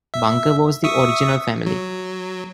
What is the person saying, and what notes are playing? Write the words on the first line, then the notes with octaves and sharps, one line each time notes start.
"Bunker" was the original family.
E5
E5 C#6 D#6
F#3